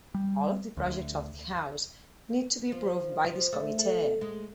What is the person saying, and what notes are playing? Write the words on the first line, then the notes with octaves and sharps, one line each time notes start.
All of the projects of the House need to be approved by this committee.
G3
D2
F3
F3
A3
A4
G#3